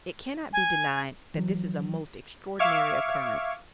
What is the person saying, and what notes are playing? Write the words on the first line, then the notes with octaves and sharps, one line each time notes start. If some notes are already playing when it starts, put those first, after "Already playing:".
It cannot be denied that this is a most extraordinary occurrence.
G#5
E3 F#3
E5 F5 C#6 D6 G#6